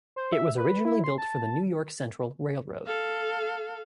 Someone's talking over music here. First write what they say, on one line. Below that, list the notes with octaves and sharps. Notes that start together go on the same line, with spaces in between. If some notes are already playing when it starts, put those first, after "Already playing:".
It was originally built for the New York Central Railroad.
C5
E5
B4
E4
C6
A5
A4 F5